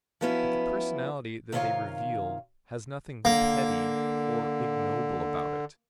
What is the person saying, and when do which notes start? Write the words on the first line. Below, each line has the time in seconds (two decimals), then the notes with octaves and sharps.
But the personality that they reveal has nothing petty or ignoble about it.
0.21 F3 F#3 B3 C#4 E4
1.52 C3 D#3 F4 G#4 C#5 F5
3.25 D3 A#3